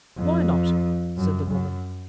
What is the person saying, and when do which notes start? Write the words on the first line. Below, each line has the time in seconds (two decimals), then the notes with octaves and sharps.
"Why not?" said the woman.
0.17 F2
1.18 F#2
1.51 F#2